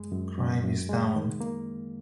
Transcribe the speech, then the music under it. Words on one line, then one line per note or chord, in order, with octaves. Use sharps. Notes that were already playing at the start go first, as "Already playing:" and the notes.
Crime is down.
Already playing: F#2 G#3
F#2
F#2
F#2
G#3
D#3
A#3